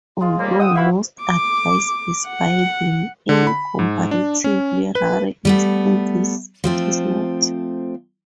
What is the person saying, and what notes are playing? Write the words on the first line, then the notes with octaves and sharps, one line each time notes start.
Although most advice is binding, in comparatively rare instances it is not.
G#3 F4
D#2 G3 A#3 C5
F#5 G5 D#6 E6
E4 F#4 B4 F5
D6
F#5
D3
B5
G#2
D4
C#4
B4
G3 A3 B3
F3 A3 C4